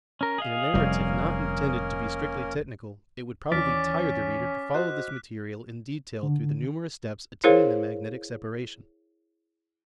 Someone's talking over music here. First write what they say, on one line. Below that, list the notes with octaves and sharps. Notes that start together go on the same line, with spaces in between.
In a narrative not intended to be strictly technical, it would probably tire the reader to follow this material in detail through the numerous steps attending the magnetic separation.
C#4 A#4
G#4 D#5 F5
F1 G3 A#3 C#4 A#4
D#2 E3 C#4 D5 D6 F6 B6
F#4 C5 D#5 F#6
D3
E4 G#4 A#4 C5 C#5 F5